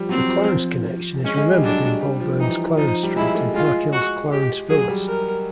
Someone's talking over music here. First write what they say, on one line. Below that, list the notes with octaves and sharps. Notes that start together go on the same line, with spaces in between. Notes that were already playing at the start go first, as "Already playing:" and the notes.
The Clarence connection is remembered in Bowburn's Clarence Street and Parkhill's Clarence Villas.
Already playing: F3 G3
F#3 C4
F3
F3
G#3 C#4
G#3
G3
F#3 D4
F#3
G3
F3
E3 D#4
F3 D#4
G3
G#3 E4
A3
G#3 F4
F#4
G4
F#3 G#4
G3
A#4